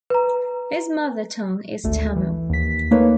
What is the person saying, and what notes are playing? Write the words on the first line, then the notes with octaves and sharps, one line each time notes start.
His mother tongue is Tamil.
B4 A#5
G#1 D2 A3
E3
D#2 B6
A3 A#3 D#4 B4 C#5